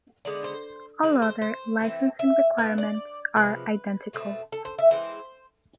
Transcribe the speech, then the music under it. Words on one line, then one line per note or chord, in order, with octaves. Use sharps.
All other licensing requirements are identical.
D3 G#3 B3 D5
C5
E3 G#3 C4 B4
C5
C5
E3 A3 C4
E5
B2 B3 D4 F5
D5
C3 F3 G#3 B4
B2 A3 C4
A4
C5
E5
E3 G#3 C4 C5